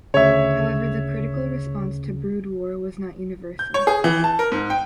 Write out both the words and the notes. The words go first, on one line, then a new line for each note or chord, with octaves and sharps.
However, the critical response to "Brood War" was not universal.
D2 C#3 C#5 E5
G6
C#5
G#4
E3
A5
A#4
G#2
G5